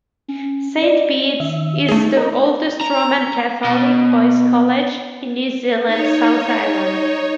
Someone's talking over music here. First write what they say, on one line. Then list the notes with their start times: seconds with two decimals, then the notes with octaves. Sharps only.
Saint Bede's is the oldest Roman Catholic Boys' College in New Zealand's South Island.
0.28 C#4
0.82 D5 D#5
1.40 D#3 E5
1.89 A3 D#4 G#4
2.17 A#4 D#5 A#5
2.81 A#5
3.65 B2
5.86 D#4 C#5